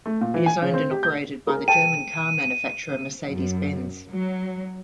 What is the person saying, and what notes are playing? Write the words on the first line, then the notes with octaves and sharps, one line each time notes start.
It is owned and operated by the German car manufacturer Mercedes-Benz.
A3
A#2
E3
G#5
C#3
C4
G4
G6
G#4 A#4
G5 A5 D#7
F#2
F#3